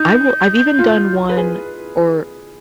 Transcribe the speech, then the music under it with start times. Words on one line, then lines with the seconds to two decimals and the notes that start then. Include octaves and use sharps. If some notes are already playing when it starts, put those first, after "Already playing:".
I will I've even done one, or
Already playing: D#4 G6
0.79 F4
1.29 B4
1.37 G#4